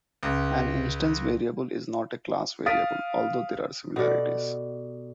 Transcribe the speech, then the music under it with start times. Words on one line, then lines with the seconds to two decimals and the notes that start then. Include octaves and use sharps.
An instance variable is not a class variable although there are similarities.
0.23 C#2
2.66 F5 D#6 A6 B6 D7
3.96 B2 G4 A4 D5 F#5